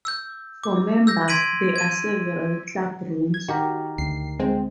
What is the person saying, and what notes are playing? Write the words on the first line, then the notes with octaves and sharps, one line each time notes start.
For members there are several club rooms.
E6 G6
D6
E6 G6 A#6
C6 G#6 B6 D7 D#7 F#7
G#6 D#7
G#6
D#3 F#4 G4 A#4
D2 C7
G#3 C4